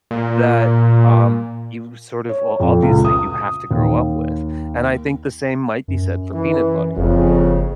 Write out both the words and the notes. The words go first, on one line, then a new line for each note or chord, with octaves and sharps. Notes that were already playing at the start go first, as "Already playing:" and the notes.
that, um, you sort of well, obviously, you have to grow up with, and I think the same might be said for peanut butter
A#2
C#5
F2
C#2
D#6
D#2
F#2
E3
F#1 F2 C#3